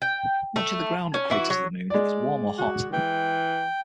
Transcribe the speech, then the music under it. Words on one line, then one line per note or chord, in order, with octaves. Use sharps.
Much of the ground at Craters of the Moon is warm or hot.
G5
A3
C#4
E3 E4 F#4
F#3
G#3 D5
F#4
E3 G5